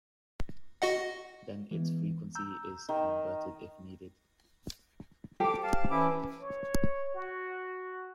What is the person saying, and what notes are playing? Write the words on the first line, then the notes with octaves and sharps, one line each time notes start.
Then its frequency is converted if needed.
F#4 D#5 F#5
E3 G#3 B3
A#5 E6 G6
D#3
G4 A4 C5 D6
F5 A5
E3 C#4 E4 D6
C#5
F#4